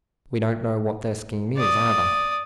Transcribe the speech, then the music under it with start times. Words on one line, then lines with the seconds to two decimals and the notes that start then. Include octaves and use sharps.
We don't know what their scheme is either.
1.57 D5 D#6